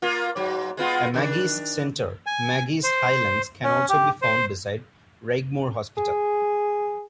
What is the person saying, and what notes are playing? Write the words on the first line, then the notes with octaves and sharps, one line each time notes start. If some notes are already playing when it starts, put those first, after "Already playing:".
A Maggie's Centre, Maggie's Highlands, can also be found beside Raigmore Hospital.
A#3 F4
G#2 F#3
G#3 B3 F4
D#3 D4
G#5
C5
C#4
G4
C5
G#4